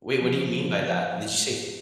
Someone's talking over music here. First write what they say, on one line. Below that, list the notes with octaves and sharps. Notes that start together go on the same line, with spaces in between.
Wait, what do you mean by that? Did you say
F3